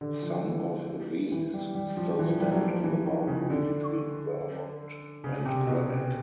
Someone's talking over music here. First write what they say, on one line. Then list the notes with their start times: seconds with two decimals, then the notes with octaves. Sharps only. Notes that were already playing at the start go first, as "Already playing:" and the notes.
Some of these still stand on the boundary between Vermont and Quebec.
0.01 D3
0.23 F3
0.44 E3
1.32 E3
1.54 G3
1.75 G3
1.97 F3
2.11 F3
2.19 E3
2.30 F3
2.40 G3
2.52 F#3
2.62 F3
2.84 E3
3.06 D#3
3.27 C#3
3.50 D3
5.24 C#3
5.46 C3
5.67 B2